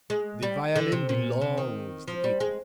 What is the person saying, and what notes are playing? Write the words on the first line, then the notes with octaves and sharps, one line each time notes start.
The violin belongs to Italy.
G#3
G3
D3
C3
A#2
C3
D#3
F3
G3
G#3